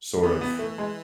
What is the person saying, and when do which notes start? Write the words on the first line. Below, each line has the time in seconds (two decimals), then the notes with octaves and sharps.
sort of
0.23 E3 B3
0.41 B3
0.59 A3
0.78 G#3